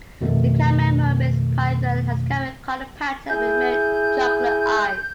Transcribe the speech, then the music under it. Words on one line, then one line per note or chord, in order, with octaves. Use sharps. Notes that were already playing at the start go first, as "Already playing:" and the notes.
The caramel Burmese python has caramel-coloured pattern with "milk-chocolate" eyes.
F2 B2 D#3 A3
E4 G#4 G6